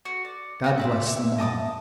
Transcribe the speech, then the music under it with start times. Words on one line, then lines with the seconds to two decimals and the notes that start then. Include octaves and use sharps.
God bless them all.
0.05 F#4
0.25 D5
0.64 F4 F#4 C5
0.78 C5 D5 E5
1.07 E4
1.38 D#5 A5 D6 D#6